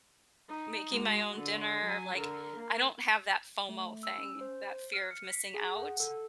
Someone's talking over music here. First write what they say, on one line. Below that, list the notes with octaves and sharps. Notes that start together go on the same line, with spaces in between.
making my own dinner, like, I don't have that FOMO thing, that fear of missing out
D#4
G#3 F#4
D3
F#3 G#5
D3 A#4
A#3
A3
E6
C#4
C5
F6
C#7
B6
G#4
F#5
A4